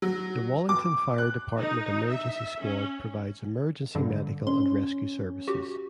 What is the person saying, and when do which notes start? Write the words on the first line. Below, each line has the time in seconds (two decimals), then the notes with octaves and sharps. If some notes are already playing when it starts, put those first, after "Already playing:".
The Wallington Fire Department Emergency Squad provides emergency medical and rescue services.
0.02 F#3
0.69 D6
1.18 F#6
1.60 D#4
2.11 E5
2.62 C#4
3.95 G2 D3 G3
4.47 C#4 C6
5.48 F#4 G4